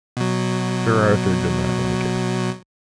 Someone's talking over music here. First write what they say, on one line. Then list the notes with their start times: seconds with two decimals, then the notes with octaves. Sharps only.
Sir Arthur did not like it.
0.17 B2 F#3